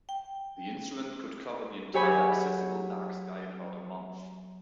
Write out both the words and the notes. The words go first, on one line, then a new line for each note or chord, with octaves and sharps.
The instrument could cover the entire accessible dark sky in about a month.
G5
F#3 G4 G#4 C#5 G#5 B5